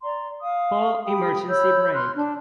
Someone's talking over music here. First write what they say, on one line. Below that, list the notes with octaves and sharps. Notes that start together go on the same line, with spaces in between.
Pull emergency brake.
D5 A#5 C6
F5 D#6
G4 G5 B5 D#6
C#5 B5 E6 G6
C6 F6 F#6
D4 A5